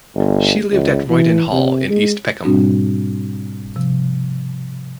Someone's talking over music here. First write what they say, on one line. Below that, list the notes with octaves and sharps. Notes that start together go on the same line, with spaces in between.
She lived at Royden Hall in East Peckham.
G1
C#2
E3
C3
G#3
G#2 B2 G3 C4 D4 F#4
C3 F3